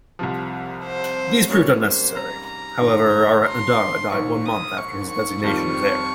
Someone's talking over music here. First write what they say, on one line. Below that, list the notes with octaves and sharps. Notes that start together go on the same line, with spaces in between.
These proved unnecessary, however, Aratnadara died one month after his designation as heir.
C2 C3 F3
C5
G#2 G3 A#3 C#4 C#5
C5
A#5
A#5
G1 G2 D#3
C6
A#1 G#2 D#3 C#6
D#6
C#6
C#6
F2 D#3 G3 C4 F4 C#6